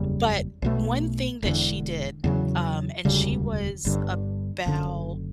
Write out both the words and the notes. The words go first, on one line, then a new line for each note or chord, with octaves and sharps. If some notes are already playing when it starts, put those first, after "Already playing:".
but one thing that she did, um, and she was about
Already playing: F#1 E2 C#3 G3
B1 B2 A3
E1 E2 D3
E2 C#3 F#3
E1 D2 C#3 G3
G1 G2 D3
F#1 F#2 D3